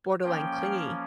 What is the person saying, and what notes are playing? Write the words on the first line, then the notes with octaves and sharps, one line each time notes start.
borderline clingy?
F3 A#3 C#4 G5